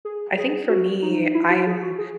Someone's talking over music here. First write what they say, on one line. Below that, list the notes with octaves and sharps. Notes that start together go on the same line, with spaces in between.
I think for me, I am
G#4
G#4
F#4
D#4
E4
F#4
G#4
F#4
G#4